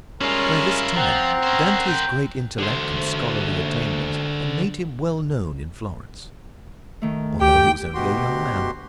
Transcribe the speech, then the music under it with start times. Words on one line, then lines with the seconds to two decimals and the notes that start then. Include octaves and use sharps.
By this time Dante's great intellect and scholarly attainments had made him well known in Florence, although he was only a young man.
0.21 G3 G#3 C#4 E4 F4 A#4
0.96 F3 C4 F#5 A#5
1.43 C#4 A#4 C5
1.87 G5
2.58 D3 C5
7.02 D#3 A3
7.41 D2 G4 G5
7.94 D2 B2 F#4 G4 C6